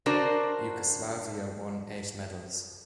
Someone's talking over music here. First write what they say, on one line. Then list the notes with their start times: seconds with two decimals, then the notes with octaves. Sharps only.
Yugoslavia won eight medals.
0.06 D4 F#4 A#4 C5